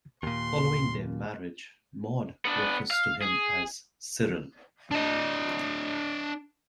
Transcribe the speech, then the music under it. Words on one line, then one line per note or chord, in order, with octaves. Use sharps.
Following their marriage Maud refers to him as 'Cyril'.
D#2 A#2 C6
B3 D4
F5
G#4
D4 D#5